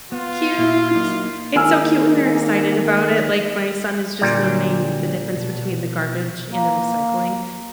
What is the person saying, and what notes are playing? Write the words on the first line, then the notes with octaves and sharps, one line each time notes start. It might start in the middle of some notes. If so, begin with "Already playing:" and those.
Cute, it's so cute when they're excited about it, like, my son is just learning the difference between the garbage and the recycling,
B3 F4
A#2 F#4 F5
F#3 A#3 D#4
D#3 G#3 A#3 D#4 G#5 E6 F6
D#5
A#2 D3 F#3 G3
B2 A5
A#3